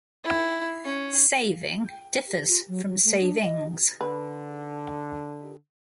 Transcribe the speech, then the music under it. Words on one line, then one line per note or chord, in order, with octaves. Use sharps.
"Saving" differs from "savings".
E4
C#4
F4
F#3
F#3
A3
D4
D#5
D3 B4